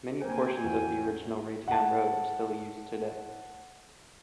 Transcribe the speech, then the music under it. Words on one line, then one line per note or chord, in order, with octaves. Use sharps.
Many portions of the original Raytown Road still are used today.
A#3 C4 C#4 G5 G#5
E2 F#4
F#5 A5